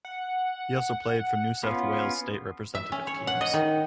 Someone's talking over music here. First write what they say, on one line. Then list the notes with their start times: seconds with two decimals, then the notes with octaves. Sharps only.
He also played for New South Wales state representative teams.
0.05 F#5
1.63 B3 C#4 F4
2.75 E5
2.92 C#4
3.07 C#5
3.27 F#5
3.41 D#5
3.53 D#3